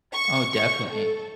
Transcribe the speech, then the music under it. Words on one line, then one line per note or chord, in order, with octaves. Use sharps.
Oh, definitely.
C#6
C#6
A4